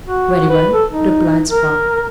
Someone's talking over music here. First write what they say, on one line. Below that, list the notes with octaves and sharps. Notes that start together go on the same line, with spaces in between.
"Very well," replied Spargo.
F#4
B4
A4
D#4
A#4